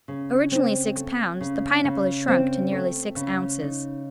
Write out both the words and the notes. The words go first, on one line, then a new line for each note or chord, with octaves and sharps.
Originally six pounds, the Pineapple has shrunk to nearly six ounces.
C#3
C4
A3
C#3
C#3
C4
A3
C#3
D#4